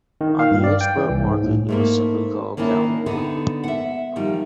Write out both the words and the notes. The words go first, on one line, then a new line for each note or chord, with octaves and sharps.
On the export market it was simply called Kalmar.
D#3
F5
G2
D5
G5
E3
C2
G#2
A2
G#2 A3 A#3
D#3 A#3 C#4 D4 E4
D3 B3 D#4
E5 F#5
D#3 F3 G3